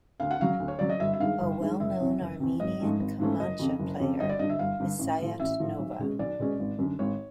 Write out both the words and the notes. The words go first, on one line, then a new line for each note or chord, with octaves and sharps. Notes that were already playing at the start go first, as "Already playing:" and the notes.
A well known Armenian kamancha player is Sayat-Nova.
D2 F5
F#5
C#3 F#3 F5
D2
C#5
C#3 F#3 D5
D#5
G1 E5
E5
G2 D#3 G#3 F5
G1
G2 D#3 G#3
F#1 E5
E2 C3
F#1
E2 C3
G#1 D#5
G#2 F3 A3 C#4
G#1
G#2 F3 A3 C#4
F#1 D#5
F2 C#3
F#1
F2 C#3
G1 D#5
D5
G2 D3 D#5
E5
G1 F5
G2 D3
A1
A2 F3
A1 E5
A2 F3
B1
B2 G#3 C#4
B1 D5
B2 G#3 C#4
G#1
F#2 D3
G#1 C#5